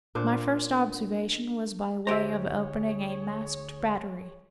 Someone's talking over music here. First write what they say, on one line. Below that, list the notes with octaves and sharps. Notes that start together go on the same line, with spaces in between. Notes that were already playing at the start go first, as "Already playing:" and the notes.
My first observation was by way of opening a masked battery.
A#2 D4 C5
D2 G4 G#4 C5 C#5 E5 A#5